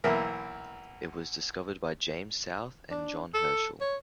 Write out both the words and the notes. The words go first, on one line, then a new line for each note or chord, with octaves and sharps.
It was discovered by James South and John Herschel.
B1 E3 A#3 A#4 E5
D4
A4
C#5